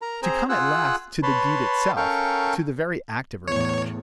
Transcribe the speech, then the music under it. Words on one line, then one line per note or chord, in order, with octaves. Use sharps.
To come at last to the deed itself, to the very act of revenge.
A#4 A#5
C4 G#4 C5 A#5
F4 G#4 F#5 E6 F#6
B4 C#5 A5 B5 C6
C#4 A4 A#4 F5 G5 C#6
E2 A2 C#5